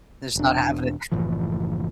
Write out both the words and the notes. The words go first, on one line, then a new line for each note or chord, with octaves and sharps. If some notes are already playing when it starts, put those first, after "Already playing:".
Just not having it.
E1 D4
F#1 A2 E3 F3